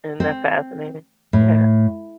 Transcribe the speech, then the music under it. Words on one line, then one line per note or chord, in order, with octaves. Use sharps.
Isn't that fascinating? Yeah.
C4
A2